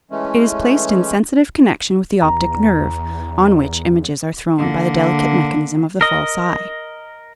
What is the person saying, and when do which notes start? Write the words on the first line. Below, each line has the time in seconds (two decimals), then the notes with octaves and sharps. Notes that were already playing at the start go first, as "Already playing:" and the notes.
It is placed in sensitive connection with the optic nerve, on which images are thrown by the delicate mechanism of the false eye.
0.11 E3 G#3 A3 C#4
2.22 E2 A#5
4.58 D3 A#3
6.01 A#4 D#5